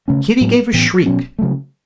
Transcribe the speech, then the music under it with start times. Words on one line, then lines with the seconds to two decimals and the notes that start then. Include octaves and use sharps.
Kitty gave a shriek.
0.08 C#3 A3 C#4
0.41 A2 F#3 B3
0.73 A2 E3 B3
1.06 B2 F#3 C#4
1.39 C#3 F#3 A3